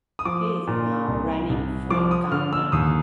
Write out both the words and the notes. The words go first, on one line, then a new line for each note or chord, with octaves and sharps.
He is now running for governor.
D#6
F3 D6
A#2
C2
C2
F3 D6
D#6
D3 F6
E6
D#2 D#6